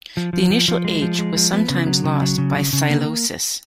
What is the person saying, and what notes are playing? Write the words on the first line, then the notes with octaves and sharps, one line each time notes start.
The initial "h" was sometimes lost by psilosis.
F3
F3
F3
F3
G#3
F3
G#3
F3
B3
C#3
F#3
C#3
F#3
C#3
C#3
C#3
A#3